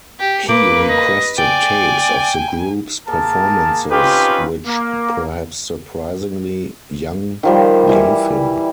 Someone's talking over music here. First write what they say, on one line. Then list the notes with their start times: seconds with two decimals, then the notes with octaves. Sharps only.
He requested tapes of the group's performances which, perhaps surprisingly, Young gave him.
0.20 G4
0.49 A#3 B4 D6
0.89 D#5
1.38 D5 G5 G#5
3.07 A#3 G#4 A#4 A5
3.90 C4 C#4 D#4 F4 G4 B4
4.66 A#3
7.43 D#3 F3 G3
7.88 E3 G3 E4